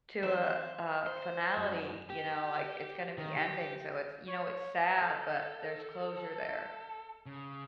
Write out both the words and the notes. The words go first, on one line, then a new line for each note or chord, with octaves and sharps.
to a a finality, you know, like it's gonna be ending, so it's you know, it's sad, but there's closure there,
D#3 E3 F#3 C4 C5 F#6 B6 E7
C5
F#2
G4
D#3
G4
C#5
A4
C#3